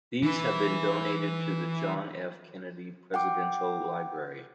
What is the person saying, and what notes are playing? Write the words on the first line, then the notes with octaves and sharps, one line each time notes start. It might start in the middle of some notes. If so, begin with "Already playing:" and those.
These have been donated to the John F. Kennedy Presidential Library.
E3 B4
F#5 G5 D6